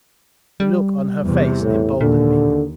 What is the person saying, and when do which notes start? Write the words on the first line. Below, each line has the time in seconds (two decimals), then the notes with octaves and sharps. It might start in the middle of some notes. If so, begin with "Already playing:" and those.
The look on her face emboldened me.
0.60 G3
1.22 E2 C3
1.61 A2
2.01 D#2 A#2 D3